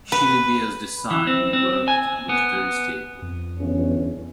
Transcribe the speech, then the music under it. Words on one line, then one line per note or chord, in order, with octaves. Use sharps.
Shillibeer's design worked, and was very stable.
B4
E3
C4
C4
G#5
B3
F2
G1 E2 C#4